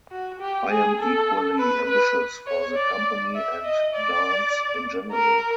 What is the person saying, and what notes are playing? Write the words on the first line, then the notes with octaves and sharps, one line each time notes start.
I am equally ambitious for the Company and dance in general.
F#4
G4
G#4
A4
B4
B4
C#5
D5
E5
D#5
D5
A#4